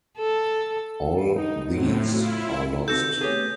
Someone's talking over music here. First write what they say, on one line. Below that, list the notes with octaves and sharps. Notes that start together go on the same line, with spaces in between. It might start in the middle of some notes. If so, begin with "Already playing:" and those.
All these are lost.
A4
D#4
A2 F#3 C4
E4 F4
C3 D#3 F#4 A4 G6
A3 B3 C#4 G4 G#4